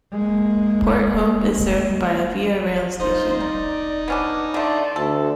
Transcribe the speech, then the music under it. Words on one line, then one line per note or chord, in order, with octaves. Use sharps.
Port Hope is served by a Via Rail station.
G#3 A#3
D#4 F4 C5
D#3 D5
B3 C#4 D4
D3 A3 D5 E5 C6
D2 A4